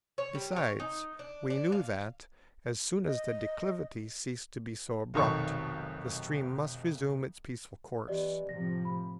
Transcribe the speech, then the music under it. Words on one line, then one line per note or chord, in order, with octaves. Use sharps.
Besides we knew that, as soon as the declivity ceased to be so abrupt, the stream must resume its peaceful course.
C#5
G3
C#5
D#4
D4
D4
F5
D#5
F1 B1 D#3 D#4 A4 C#6
E3 B3 G4 D5 D#5
A2 C3 F3 A#6
B5